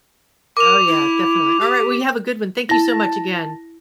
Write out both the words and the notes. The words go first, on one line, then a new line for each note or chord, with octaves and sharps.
Oh, yeah, definitely, alright, well, you have a good one, thank you so much, again.
A#4 D6 F7
E4
G4
E4 A5 A#6